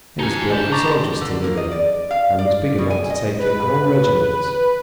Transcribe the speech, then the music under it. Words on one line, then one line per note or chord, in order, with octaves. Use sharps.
It was built for soldiers to live in, and was big enough to take in whole regiments.
D#4 F#4 G#5 A5 C#7
D#2 D4 D5 A5 G6
A5 A#5 C#6 D6 A6
D3
A#3
D#5
D5
F5
D5
B2
G#5
D#5
B4